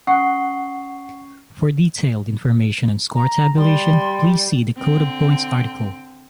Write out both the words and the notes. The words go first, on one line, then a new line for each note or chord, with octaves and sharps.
For detailed information on score tabulation, please see the Code of Points article.
C#4 F#5 C#6 C7
A#5
G3 C6
D3 C4